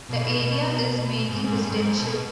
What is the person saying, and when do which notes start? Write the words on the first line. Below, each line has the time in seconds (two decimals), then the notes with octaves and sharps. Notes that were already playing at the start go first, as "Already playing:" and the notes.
The area is mainly residential.
0.09 B2
0.23 B2
1.29 G#2
1.44 G#2
1.60 G2
1.70 G2
1.75 G#2
1.97 B2